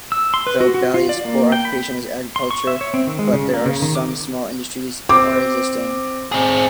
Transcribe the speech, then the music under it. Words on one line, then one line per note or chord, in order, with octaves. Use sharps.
Though Ballia's core occupation is agriculture but there are some small industries are existing.
E6
C6
B4
F#4
F#4
F4
D5
A#3
G5
B5
C6
C#6
E5
C#5
C4
D#3
G#3
C#3
A#3
C#3
D#3
D6
C4 D6
C4 G#4